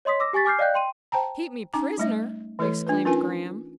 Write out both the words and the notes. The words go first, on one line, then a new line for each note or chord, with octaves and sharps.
"Keep me prisoner!" exclaimed Graham.
C#5 D#5 C6 D#6 B6
D6 E6 A#6
G4 G#5 C#6 A6 B6
G#5 D6 F6 G6 C7
D5 D#5 F5 G5 F#6 G6
G5 C6 D#7
C5 G5 A5 A#5
C#4 D#4 A#5 D6
G3 A3 E5
E3 A3 E4 A4 B4 C#5
D4 F4 B4
C#4 D#4 F4 A#4 B4 G#5